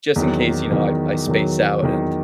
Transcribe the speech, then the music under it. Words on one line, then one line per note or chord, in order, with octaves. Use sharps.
just in case, you know, I I space out and,
E2 D#3 F#3
E2 D#3 F#3
E2 D#3 F#3
E2 D#3 F#3